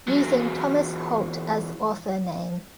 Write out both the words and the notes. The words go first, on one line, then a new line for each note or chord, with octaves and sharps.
Using Thomas Holt as author name.
E2 F#3